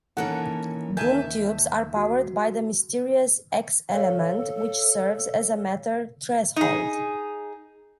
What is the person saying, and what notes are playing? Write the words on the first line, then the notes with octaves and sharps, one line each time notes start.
Boom tubes are powered by the mysterious X-element, which serves as a matter threshold.
D#3 E3 A#3 C#4 A4 A#4 F#5
D#2 D#3 A#4 E5 G#5 A5 G6
F#4
A4 C#5 F5
D#4 G#4